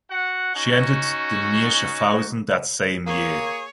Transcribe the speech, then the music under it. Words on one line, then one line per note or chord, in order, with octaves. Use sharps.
She entered the near Schaffhausen that same year.
F#4 F#5
C#4 D#4 F#4
A#3 G#4 C#5